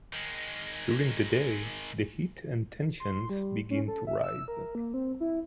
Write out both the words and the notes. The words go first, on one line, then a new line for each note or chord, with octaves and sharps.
During the day, the heat and tensions begin to rise.
D#3 G#3
C6
G3
C#4
A4
E5
E6
A#4
A#3
C4
E4